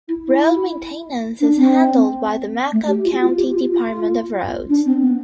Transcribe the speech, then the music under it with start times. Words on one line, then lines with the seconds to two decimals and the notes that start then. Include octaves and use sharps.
Road maintaince is handled by the Macomb County Department of Roads.
0.08 E4
0.25 E4
1.41 D4
1.57 C4
2.72 A3
2.88 G4
3.05 F4
3.21 F4
3.37 G4
3.54 F4
3.71 F4
4.69 D4
4.86 C4
5.01 B3